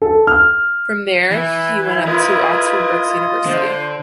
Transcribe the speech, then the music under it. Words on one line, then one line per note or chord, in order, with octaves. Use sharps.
From there he went up to Oxford Brookes University.
A4
F6
E3 E4
F4 A#4 B4 D#5
D3 C5